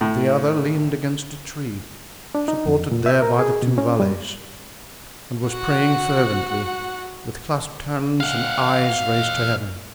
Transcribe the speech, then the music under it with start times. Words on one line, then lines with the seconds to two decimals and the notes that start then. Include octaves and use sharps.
The other leaned against a tree, supported there by the two valets, and was praying fervently, with clasped hands and eyes raised to Heaven.
0.01 A2
2.35 D4
2.48 D#4
2.67 F2
2.92 A#2
3.06 E5
3.22 A#4
3.39 G#4
3.62 B2
3.78 C#4
4.00 G3
5.48 F#4 F#5
8.20 F5 F#5